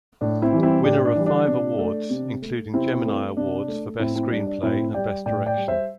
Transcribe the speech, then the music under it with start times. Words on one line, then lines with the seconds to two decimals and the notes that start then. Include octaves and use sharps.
Winner of five awards, including Gemini Awards for best screenplay and best direction.
0.21 A2 D4
0.42 C4 E4
0.52 E3 G3
0.63 C4 E4
0.84 A2 D4 G4
1.05 D4
1.15 E3 G3
1.26 D4
1.47 C3
1.79 A3
2.10 C3
2.42 A3
2.74 C3 C4 E4
3.05 A3
3.37 C3 D4
3.68 A3
3.99 A2 C4 E4
4.16 C4 E4
4.31 G3 D4
4.47 D4
4.63 A2 C4 E4
4.94 G3 D5 G5
5.26 A2 D5 G5
5.46 D5 G5
5.57 G3
5.68 C5 E5